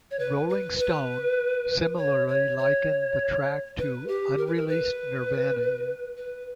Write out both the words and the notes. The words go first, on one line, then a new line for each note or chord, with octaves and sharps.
"Rolling Stone" similarly likened the track to "unreleased Nirvana".
C#5
B4
B4
B4
C#5
C#5
C#5
B4
G4
A#4
B4
A#4
B4
B4